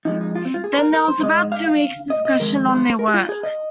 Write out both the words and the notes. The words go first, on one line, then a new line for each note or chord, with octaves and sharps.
Then there was about two weeks discussion on their work.
F2 F3 G#3 D#4
D#4
F4
C4
F4
G#4
C5
A#4
A#4
C5
G#2 D#3 G#3 D#5
F5
F5
D#5
D#5
F2 D#3 G#3 A#4
C5
A#4
G#4
F4
G#4
D#5